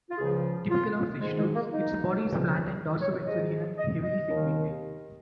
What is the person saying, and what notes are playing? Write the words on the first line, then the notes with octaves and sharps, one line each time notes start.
Typical of cestodes, its body is flattened dorsoventrally and heavily segmented.
F4
C#2 C#3 F3 G#4
F4
G#2 D#3 G#3
G#3
A#3
D#4
C#2 C#3 F3
C#5
G#2 D#3 D#5
D#5
D#5
D#2 D#3